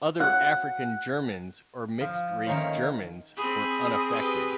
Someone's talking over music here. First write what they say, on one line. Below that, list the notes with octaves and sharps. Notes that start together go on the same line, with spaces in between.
Other African-Germans or mixed race Germans were unaffected.
F#5
F3
D#3 A3 A#3 C#4 C5 C#5
C4 G#4 B5
G4 B4